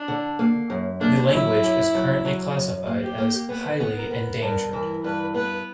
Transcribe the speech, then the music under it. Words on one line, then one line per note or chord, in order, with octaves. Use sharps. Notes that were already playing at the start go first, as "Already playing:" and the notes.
The language is currently classified as "highly endangered".
Already playing: D4
D3
A#3
F#2
A#3 D4
F#3 E4
F#2
F#3
F#3
F#2
A#3
G4
A#3
B3 B4
B3
A#4
B3
G2 A#4
E3 A#4
G2 B4
B3 B4